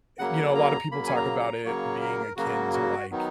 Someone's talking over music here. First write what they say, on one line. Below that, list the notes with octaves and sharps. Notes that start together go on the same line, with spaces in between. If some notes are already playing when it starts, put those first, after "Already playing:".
e you know, a lot of people talk about it being akin to, like,
C#3 F#3 A#3 F#5
A#5
C#3 F#3 A#3 B5
G#5
A#5
A#5
C#3 F#3 A#3 C#5
A#4
C#3 F#3 A#3 F#4
F#4
D#3 F#3 B3 D#4